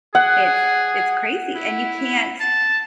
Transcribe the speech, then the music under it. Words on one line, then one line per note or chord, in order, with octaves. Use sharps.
it's it's crazy, and you can't
G#4 F#5
E4
A5